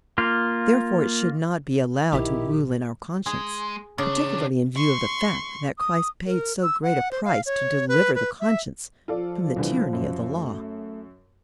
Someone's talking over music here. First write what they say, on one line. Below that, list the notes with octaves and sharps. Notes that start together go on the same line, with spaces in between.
Therefore it should not be allowed to rule in our conscience, particularly in view of the fact that Christ paid so great a price to deliver the conscience from the tyranny of the Law.
A#3 F4
A#1 D#3 E4 G4
G#3 G#4
E2 C#3 D4
C6 C#6
D#6
A#4
E6
F#5
C5
F5
C#5
B4
B4
E5
F3 F4 A4 D5
C2 D3 E3
F#2
A3